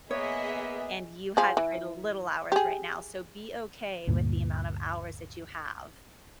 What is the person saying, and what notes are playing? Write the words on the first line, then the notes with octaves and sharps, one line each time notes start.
and you had kinda little hours right now, so be okay with the amount of hours that you have.
A#3 B3 G#4 C#5 D#5 E5
F3 G#4
E3
G4 G#4
D2 G2 A#2